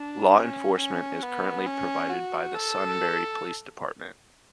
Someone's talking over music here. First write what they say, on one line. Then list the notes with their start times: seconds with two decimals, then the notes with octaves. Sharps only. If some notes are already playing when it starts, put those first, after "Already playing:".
Law enforcement is currently provided by the Sunbury Police Department.
Already playing: D4
0.36 C#4
0.78 C#4
1.23 B3
1.66 C#4
2.10 F#4
2.54 A4